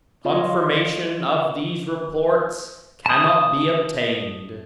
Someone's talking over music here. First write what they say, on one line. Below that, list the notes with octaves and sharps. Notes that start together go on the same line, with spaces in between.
Confirmation of these reports cannot be obtained.
F4 C#5 D#5
A5 D#6